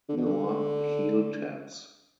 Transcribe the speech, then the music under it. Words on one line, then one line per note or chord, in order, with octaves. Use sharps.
Nor Heel Taps.
D3
B2
D3